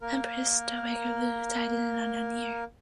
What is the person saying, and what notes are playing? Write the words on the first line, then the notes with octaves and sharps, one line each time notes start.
Empress Dowager Luo died in an unknown year.
A#3 A#4